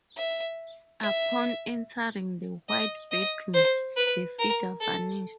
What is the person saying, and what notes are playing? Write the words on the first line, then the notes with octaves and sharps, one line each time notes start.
Upon entering the White Bedroom the figure vanished.
E5
E5
D#5
D#5
C5
B4
A#4
A4